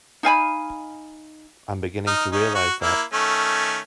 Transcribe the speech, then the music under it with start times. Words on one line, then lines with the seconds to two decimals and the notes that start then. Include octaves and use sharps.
I'm beginning to realize that.
0.23 D#4 F5 G#5 B5
2.07 D#4 F6
2.32 C#4 D#4
2.55 F#4
2.82 A#3 E4
3.13 D#3 A3 C#4